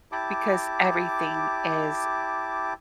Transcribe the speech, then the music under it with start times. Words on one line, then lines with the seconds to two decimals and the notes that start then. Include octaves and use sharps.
because everything is
0.12 E4 G4 A5 D6